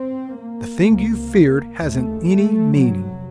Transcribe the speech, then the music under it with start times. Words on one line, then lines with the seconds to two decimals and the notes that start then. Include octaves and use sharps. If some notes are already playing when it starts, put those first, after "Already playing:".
The thing you feared hasn't any meaning.
Already playing: C4
0.39 A#3
0.86 C#2 C3
1.81 D#2 C#3 A3
2.29 A3
2.76 F2 C3 F#3